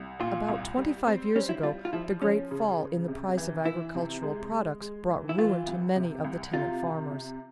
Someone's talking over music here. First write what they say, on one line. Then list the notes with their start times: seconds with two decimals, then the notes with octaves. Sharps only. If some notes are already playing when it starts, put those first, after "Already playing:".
About twenty-five years ago, the great fall in the price of agricultural products brought ruin to many of the tenant farmers.
Already playing: C2
0.20 A#2 F4
0.48 C2
0.77 G3
1.07 C4
1.36 G3 C#4
1.49 E4
1.63 G3 F4
1.85 F4
1.93 F3 E4
2.22 F3 C#4
2.51 C#3
2.79 C#3
3.08 C3
3.37 E3
3.65 E3 E4
3.95 C3
4.23 G#3
4.52 G#3
4.81 G#3
5.10 E3
5.29 E4
5.38 E3 F4
5.67 C2
5.96 C3
6.24 C2
6.53 C3 F4
6.83 C3
7.11 C3